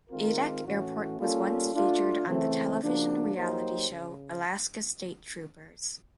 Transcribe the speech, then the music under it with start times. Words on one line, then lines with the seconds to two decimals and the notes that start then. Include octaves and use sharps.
Adak Airport was once featured on the television reality show, Alaska State Troopers.
0.10 D#3 G#3 C4 F4 A#4
0.64 A2 E3 A3 C#4 F#4
1.18 G3 A#3 C#4 F4 A4
1.73 A3 D4 F4
2.27 C#3 E3 A3 C4
2.81 C#3 F3 A#3 D4 F#4
3.35 F#3 A#3 D#4 G4 C5
3.89 C#3